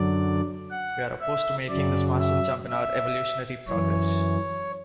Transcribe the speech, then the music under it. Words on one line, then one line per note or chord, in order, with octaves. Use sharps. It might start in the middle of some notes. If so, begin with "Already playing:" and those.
We are opposed to making this massive jump in our evolutionary progress.
Already playing: F#2 D3 F#3 D5
F#5
E5
F#2 C#3 F#3 D5
E5
E5
F#2 E3 C#5